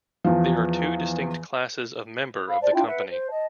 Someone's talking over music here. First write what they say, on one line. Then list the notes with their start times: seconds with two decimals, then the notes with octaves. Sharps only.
There are two distinct classes of member of the Company.
0.24 E2 F3
2.47 F5 B5
2.61 C5 D5 A5
2.73 D4 E4 F4 G5
2.86 B4 E5 F#5
3.09 C5
3.30 D#5 A5